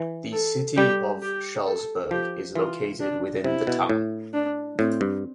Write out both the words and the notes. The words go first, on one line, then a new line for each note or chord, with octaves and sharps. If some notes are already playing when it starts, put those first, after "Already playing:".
The City of Shullsburg is located within the town.
Already playing: E3
A4
G3 G4
G4
A4
F3 G4
E3 F4
D4
C3 E4
B2
A2
D4
A2 C4
G2